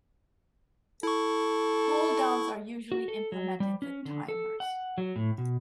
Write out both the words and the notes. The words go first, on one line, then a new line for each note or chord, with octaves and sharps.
Holddowns are usually implemented with timers.
E4 A4 C#6
F#4
A4
F#3
G3
C#4
D3
A4
F#5
F#3
A2
B2